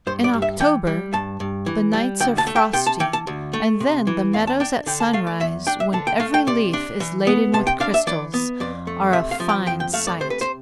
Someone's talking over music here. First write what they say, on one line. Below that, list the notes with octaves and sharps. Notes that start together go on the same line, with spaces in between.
In October the nights are frosty, and then the meadows at sunrise, when every leaf is laden with crystals, are a fine sight.
G2 C5
D5
G2
E5
E3 G5
G3
G2 A5
G2
E3
G3
D2 G5
A5
A3
G5
C3 G5
A5
E3 G5
A5
D2
A3
C3
E3
E2 F5
A5
D4 G5
D3 G5
A5
A3 F5
D5
E2 E5
D4 G5
E5
D3 A5
G5
A3 F5
G5
C3 D5
D4
E3
B3
C3 A5
G5
D4 F5
E5
E3 D5
B3
F2 D5
A3
C3 E5
F5
F3
G5
F2 G5
G5
A3 F5
D5
C3 C5
B4
C5